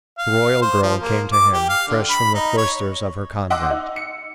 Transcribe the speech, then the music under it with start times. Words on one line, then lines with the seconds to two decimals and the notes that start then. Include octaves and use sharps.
The royal girl came to him fresh from the cloisters of her convent.
0.18 F5
0.62 C5
0.82 F3
1.01 A#3
1.33 D6
1.53 G4
1.69 F5
1.88 D3
2.09 B5
2.34 D#4
2.57 C#5
3.50 D#5 F#5 C6 D6 E6
3.70 D#4
3.96 C#7